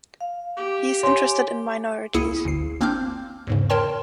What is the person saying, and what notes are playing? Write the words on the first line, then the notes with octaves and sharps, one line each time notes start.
He is interested in minorities.
F5
G4
C#5 G#5 C6
C#2 A#3 E4 G#4 C#7 D#7
G1 D2 C7
A#3 C4 D4 D6 F6 G6
E2 G#2 C#3
A#4 C#5 G5 A5 C6